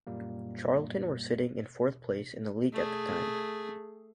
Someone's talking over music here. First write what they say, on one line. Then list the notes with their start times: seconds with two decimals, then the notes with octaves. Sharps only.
Charlton were sitting in fourth place in the league at the time.
0.07 F#2 A#2 G3 A#3
2.73 A3 G#4